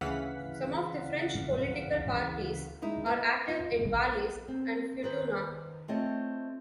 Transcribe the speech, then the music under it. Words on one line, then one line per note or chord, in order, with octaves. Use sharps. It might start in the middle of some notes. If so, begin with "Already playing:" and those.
Some of the French political parties are active in Wallis and Futuna.
D2 C#3 E3 F5 F#5 B6
G#3 D#4 E4
B3
F4
A#1
C4
D#3 B4 C5
A3 C4 F4 C#5 D#5